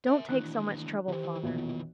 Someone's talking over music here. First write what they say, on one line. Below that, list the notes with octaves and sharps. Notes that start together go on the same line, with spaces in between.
Don't take so much trouble, father.
A#4 E5
D#2 E3 D4 F#6
D#3 E3 G4 C5
B1 E2 A#2